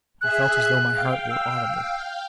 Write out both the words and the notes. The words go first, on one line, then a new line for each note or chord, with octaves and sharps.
I felt as though my heart were audible.
G#4 E5 G#5 F#6
F5 G5
E6